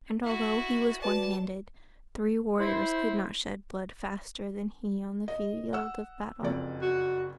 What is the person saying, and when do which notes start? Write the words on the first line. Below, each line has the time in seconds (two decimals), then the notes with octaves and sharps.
And although he was one-handed, three warriors could not shed blood faster than he on the field of battle.
0.24 E4 F#4
1.02 F#4 B4 D5 A5
2.58 E4 C5
5.28 D#5
5.73 F#5 E6
6.43 F#1 F2 D5
6.82 F#4